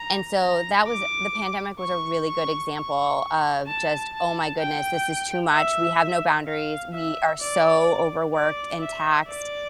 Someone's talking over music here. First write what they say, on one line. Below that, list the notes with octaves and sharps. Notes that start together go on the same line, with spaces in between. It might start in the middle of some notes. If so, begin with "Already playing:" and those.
and so, that was a The pandemic was a really good example of just, "Oh my goodness, this is too much, we have no boundaries, we are so overworked and taxed.
Already playing: A#5
A#5
D6
C#6
C#6
C#6
A5
A5
G5
E5
F5
E5
D5
D5
E5
D5